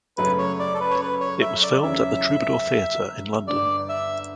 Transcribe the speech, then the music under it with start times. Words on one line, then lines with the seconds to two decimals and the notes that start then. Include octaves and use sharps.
It was filmed at the Troubadour Theatre in London.
0.17 F#2 C#3 F#3 A3 C#4 B4
0.38 C#5
0.59 D5
0.75 A4
0.80 B4
0.91 C#5
1.01 B4
1.21 C#5
1.41 E5
1.63 D5
1.83 E2 C#3 F#3 C#4 E4 E5
3.47 G1 G2 D3 D5
3.89 E5